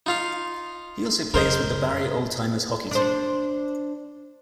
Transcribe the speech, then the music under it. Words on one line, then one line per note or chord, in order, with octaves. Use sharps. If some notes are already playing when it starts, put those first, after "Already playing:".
He also plays with the Barrie Oldtimers Hockey Team.
D#4 F4 F5
F#2 C#3 A#4 C5 D#5
D4 C5